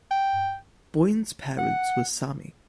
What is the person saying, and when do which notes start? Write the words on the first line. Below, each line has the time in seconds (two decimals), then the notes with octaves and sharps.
Boine's parents were Sami.
0.11 G5
1.58 F#5